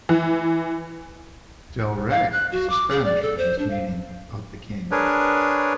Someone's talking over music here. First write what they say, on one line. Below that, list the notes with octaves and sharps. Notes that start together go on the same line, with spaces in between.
Del Rey is a Spanish phrase meaning "of the king".
E3
F5
F#6
F#4
D6
G#4
D5
A4
C5
D4
F5
D4 G#4 A#4 B4 C#5